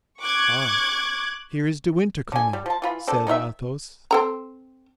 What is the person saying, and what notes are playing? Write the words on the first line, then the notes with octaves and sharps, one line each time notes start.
"Ah! here is De Winter coming," said Athos.
C#6 D6 F#6 G#6
D3 G#5
G3
F3 A5
E3 F4 B5
D3 C4 A4
D#3 D#4 F4 E5
C4 A4 A#5